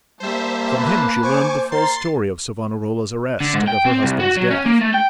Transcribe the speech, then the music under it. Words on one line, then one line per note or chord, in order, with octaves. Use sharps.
From him she learned the full story of Savonarola's arrest, and of her husband's death.
G3 A#3 C5 E5 A5
B4
C5 G#5 C#6 D6
A#4 C6 A6 C7
D3
G#2
G5
C4
C2
F#4
F#3
C#4
A#3
A3
G5